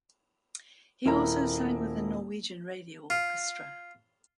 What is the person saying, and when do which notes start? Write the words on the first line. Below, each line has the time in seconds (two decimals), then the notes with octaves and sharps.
He also sang with the Norwegian Radio Orchestra.
1.06 D#1 A#3 E4 A#5
3.10 F4